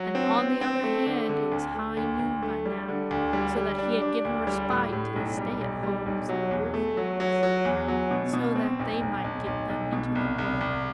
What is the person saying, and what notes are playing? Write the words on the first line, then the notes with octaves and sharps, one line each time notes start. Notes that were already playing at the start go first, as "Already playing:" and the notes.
And on the other hand it was high noon by now, so that he had given respite to the stay-at- homes of the Wolfings, so that they might get them into the wood.
Already playing: F#3
C4
C4
C4
A3
D3
D3
D2
A3
D2
D2
A3
G3
D3
D2
G3
G3
D4
D4
D2
G3
A2
A2
B1
G3
B1
G3
B1
F#3
E2
A3
F#3
F#3
F#3
E2
F#3
B2
B2
C4
B1
B1
B1
B1
B1
B2
C2
C2
C2